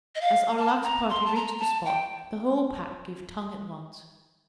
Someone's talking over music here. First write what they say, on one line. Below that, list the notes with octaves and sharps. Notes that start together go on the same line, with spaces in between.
As Arlac's party reached the spot, the whole pack gave tongue at once.
D#5
F5
A5
A#5
C6
A5
A#5
A5
G5